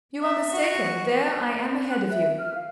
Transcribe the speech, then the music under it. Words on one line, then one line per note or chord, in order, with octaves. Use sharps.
"You are mistaken; there I am ahead of you."
E5
F#4
F#6
E5
F6
F5